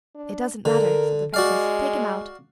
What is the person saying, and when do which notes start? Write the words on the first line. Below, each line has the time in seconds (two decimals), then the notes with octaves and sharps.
'It doesn't matter!' said the Princess. 'Take him out!'
0.15 D4
0.65 D3 A#4
1.34 G#3 F#4 D5 F5